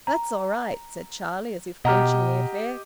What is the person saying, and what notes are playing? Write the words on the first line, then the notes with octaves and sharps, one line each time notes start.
"That's all right," said Charlie, as if clinching the affair.
A#5
B2 G4 D#5 F#5 A#5 F6